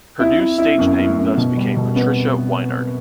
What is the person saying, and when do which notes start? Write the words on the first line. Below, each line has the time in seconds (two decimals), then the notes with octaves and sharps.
Her new stage name thus became Patrecia Wynand.
0.20 C4 E4
0.39 E4
0.58 E4
0.78 F#2 B3
0.98 E4
1.07 A3
1.17 F#2
1.37 B2 B3
1.57 G3
1.76 B2
1.95 B3 C4